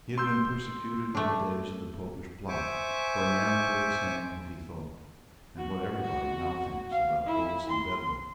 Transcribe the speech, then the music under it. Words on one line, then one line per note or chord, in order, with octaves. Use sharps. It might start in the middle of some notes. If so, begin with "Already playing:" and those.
He had been persecuted in the days of the Popish plot for manfully saying what he thought, and what every body now thinks, about Oates and Bedloe.
C6 E6 G6
A3 D4
C5 E5 G#5 C#6 D6
F#4
F#4
F5
E4
C6